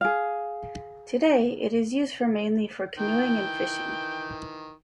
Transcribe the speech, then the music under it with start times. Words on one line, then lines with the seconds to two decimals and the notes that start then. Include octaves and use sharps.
Today, it is used for mainly for canoeing and fishing.
0.01 G#4 F5
2.98 D#3 E3 G5